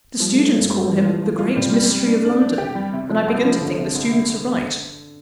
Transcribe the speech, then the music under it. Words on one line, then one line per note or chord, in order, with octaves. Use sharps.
The students call him 'The Great Mystery of London;' and I begin to think the students are right.
F3 G3
A3
F3
G3
G2 A3
G3
C4
E3 F3
F4
F3
F4
C3 G3
G3
G3
D4
D4
D4
G4
G3
C3
F3
C2
F3
D3 F3
C3
C2
C3